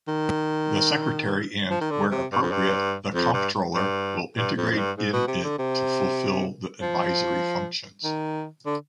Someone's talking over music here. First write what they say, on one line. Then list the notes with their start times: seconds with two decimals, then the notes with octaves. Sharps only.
The secretary and, where appropriate, the comptroller, will integrate in it to fulfill the advisory functions.
0.08 D#3
1.70 F3
1.81 D#3
1.91 D3
2.11 C3
2.32 G2
2.42 F2
2.52 G2
3.14 F2
3.34 G2
3.75 G2
4.37 G2
4.57 F2
4.71 F2
4.77 G2
4.98 G#2
5.13 B2
5.28 C3
5.44 D3
5.59 C3
6.82 F3
8.04 D#3
8.66 D3